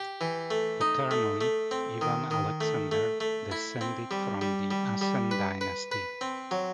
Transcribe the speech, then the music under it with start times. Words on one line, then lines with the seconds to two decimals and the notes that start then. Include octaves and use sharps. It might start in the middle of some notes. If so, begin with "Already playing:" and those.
Paternally, Ivan Alexander descended from the Asen dynasty.
Already playing: G4
0.21 E3
0.51 A3
0.81 D#4
1.11 A3
1.41 A3
1.71 C4
2.01 D#3
2.31 D#3
2.61 A3
2.91 A3
3.20 A3
3.51 E4
3.81 C4
4.11 G3
4.41 G3
4.71 G3
5.01 G3
5.31 B4
5.61 B4
5.92 B4
6.21 C4
6.51 F#3